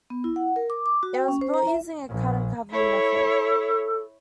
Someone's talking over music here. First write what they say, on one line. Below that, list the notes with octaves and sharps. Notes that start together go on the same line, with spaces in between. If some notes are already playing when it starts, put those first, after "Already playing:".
It was built using a cut-and cover method.
B3
E4
F#5
A#4
D6
D6
F#4
G5
C#4
C5
A#5
E5
A#1
E4 A4 C#5